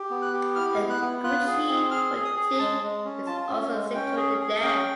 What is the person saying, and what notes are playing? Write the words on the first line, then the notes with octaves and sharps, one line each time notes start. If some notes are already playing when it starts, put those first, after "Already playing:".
A Gucci boutique is also situated there.
Already playing: G4
B3
F#6
G4
E4 F6
B3
F#6
B3
F4 F#6
G#4
C4
G#4 F6
G#4
D#6
G#4
G#3 A5
G#3
C#4
F4 A5
C#4
G#3
C#4 G5
G#4
G#4
C#4 G5